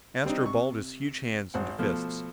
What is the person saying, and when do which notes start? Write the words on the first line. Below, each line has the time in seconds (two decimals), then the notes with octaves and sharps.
Astro balled his huge hands into fists.
0.25 G3 C4 D4 D#4
0.45 C3 C#6
1.54 G#1 C5 F#5
1.78 B2 F3 A3